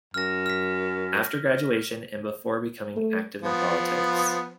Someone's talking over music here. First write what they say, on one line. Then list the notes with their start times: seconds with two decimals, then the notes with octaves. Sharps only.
After graduation and before becoming active in politics.
0.14 F#2 F6 A#6
0.46 F6 B6
2.96 A3
3.42 F3 B3